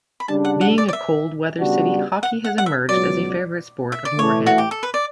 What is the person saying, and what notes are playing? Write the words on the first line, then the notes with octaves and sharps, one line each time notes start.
Being a cold weather city, hockey has emerged as a favorite sport of Moorhead.
B5
C#3 G3 D4 A5
F#5
F#5
D5
D5
E5
C#3 G3 B3 D4 F#4
F#5
F#5
F#5
E5
C#2 B2 F#3 D5
E5
D5
A2 E3 A3 C#5
F#4
G4
A4
B4
D5